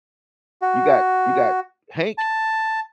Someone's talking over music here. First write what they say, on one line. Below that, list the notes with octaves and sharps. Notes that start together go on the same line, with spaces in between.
you got you got Hank
F#4
A5